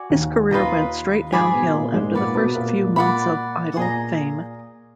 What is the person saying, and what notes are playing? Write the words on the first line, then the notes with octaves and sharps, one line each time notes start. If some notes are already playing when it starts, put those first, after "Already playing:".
His career went straight downhill after the first few months of Idol-fame.
Already playing: F#4 D5 G#5
D#2 D#3
D#2 D#3 F4 B4 D#5 A#5
G#2 G#3 G#4 D5 G#5 B5
B2 B3
A#2 A#3
G#2 G#3
A#2 A#3 B4 D5 F#5
B2 B3
A#2 A#3
G#3
A#2 A#3 D5 F#5 B5
A#2 A#3 G#4 D#5 A#5